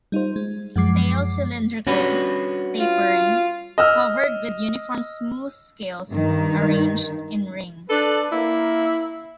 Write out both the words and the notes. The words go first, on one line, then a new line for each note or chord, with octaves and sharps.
Tail cylindrical, tapering, covered with uniform smooth scales arranged in rings.
G3 D#4 F4 C5
G#3
F#2 F3 G#3 D6 C7
G3 C#4 D4 F#4 B4
F4
D#5 E6 F6
G2 D#3
D4 A4 B4
A#3 E4